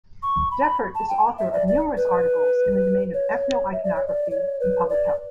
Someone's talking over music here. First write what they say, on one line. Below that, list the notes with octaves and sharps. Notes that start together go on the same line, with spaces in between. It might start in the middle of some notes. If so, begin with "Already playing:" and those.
Defert is author of numerous articles in the domain of ethno-iconography and public health.
C#6
B5
A5
G5
E5
D5
D5
B4
C#5
E5
D5
C#5
D5
C#5
B4
D5